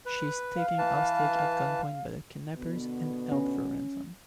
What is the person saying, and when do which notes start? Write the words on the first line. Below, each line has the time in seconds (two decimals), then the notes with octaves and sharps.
She is taken hostage at gunpoint by the kidnappers, and held for ransom.
0.05 B4
0.56 F5
0.78 E3 B4 A5
2.57 B2 D3 B3
3.32 C#4